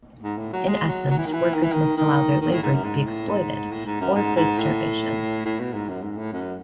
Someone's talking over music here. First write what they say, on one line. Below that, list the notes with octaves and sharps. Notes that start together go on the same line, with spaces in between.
In essence, workers must allow their labor to be exploited or face starvation.
G#2
A2
F#3
G#3
F#3
F#3
E3
D#3
E3
D#3
E3
D#3
D#3
D#3
A2
G#2
F#2
G#2
A2
G#2
A2
G#2
F#2
G#2
G#2
A2
A2
B2
G#2
F#2
G#2
A2
F#2